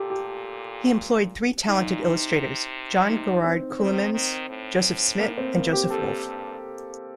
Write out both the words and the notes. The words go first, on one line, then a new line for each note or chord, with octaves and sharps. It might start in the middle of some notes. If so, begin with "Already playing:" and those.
He employed three talented illustrators: John Gerrard Keulemans, Joseph Smit and Joseph Wolf.
Already playing: A#2 G4 A4
G4
A#2 D#4
C3
D#4
C4
D#3 C4
D#3
A2
A#3
C4
A#3
G4
G2 A4
G2